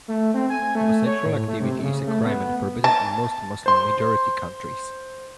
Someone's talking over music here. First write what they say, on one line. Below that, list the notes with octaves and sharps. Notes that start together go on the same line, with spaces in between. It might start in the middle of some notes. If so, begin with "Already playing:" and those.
Homosexual activity is a crime and forbidden in most Muslim-majority countries.
A3
C4
G#5
A3
C#5
A2
A3
C3
C#3
A3
B3
A5
C5 C6